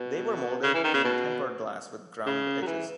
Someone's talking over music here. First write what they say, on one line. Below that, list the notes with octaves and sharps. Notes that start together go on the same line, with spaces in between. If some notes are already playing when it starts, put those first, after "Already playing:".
They were molded in tempered glass with ground edges.
Already playing: B2
C#3
E3
D#3
C#3
B2
C#3
F#3
E3